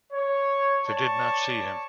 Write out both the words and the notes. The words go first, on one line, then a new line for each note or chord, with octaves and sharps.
They did not see him.
C#5
C#5 D5 A5 C#6